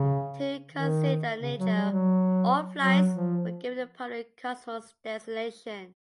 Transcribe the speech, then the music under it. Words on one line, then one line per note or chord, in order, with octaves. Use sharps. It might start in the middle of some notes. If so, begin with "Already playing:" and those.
To conceal their nature, all flights were given the public Kosmos designation.
Already playing: C#3
D#3
C#3
F#3
G3
F#3
F#3
F3